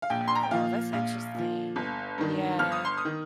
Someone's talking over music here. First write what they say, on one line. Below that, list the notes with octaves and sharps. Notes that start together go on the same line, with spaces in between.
Oh, that's interesting. Yeah,
F5
A#1 G5
C6
A#5
G5
A#2 F3 F5
A#1 F5
A#2 F3
G1
G2 D#3
G1 F6
D#6
C6
D#6
D#3